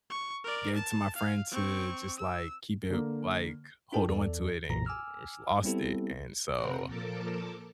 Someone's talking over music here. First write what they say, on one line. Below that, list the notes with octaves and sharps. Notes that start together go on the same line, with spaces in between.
gave it to my friend to just, like, keep it like, hold on to it and just lost it." And so
C#6
A#4 D5
A5
F5
C4 C#6
E6
D3 A#3
D4 F4 G#4 A#4 G5 A5
E2 A4 D5
B1 F#2 A#2 E3 A#5 A#6
G#5 D6 E6 F6
G3 B3 C4 E4 G4 A4
C3 C4 A#4 F#5
A#2 F3 A4 A#4 A5 D6